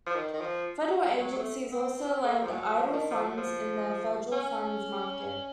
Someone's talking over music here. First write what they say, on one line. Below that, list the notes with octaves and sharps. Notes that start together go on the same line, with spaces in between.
Federal agencies also lend idle funds in the federal funds market.
F3
D#3
D#3
F3
F#3
F#3
A3
C4
A3
F3
F#3
F3
D#3
F3
F#3
F3
C#4